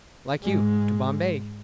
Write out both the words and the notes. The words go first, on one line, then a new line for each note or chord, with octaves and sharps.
"Like you, to Bombay."
G#2 G#3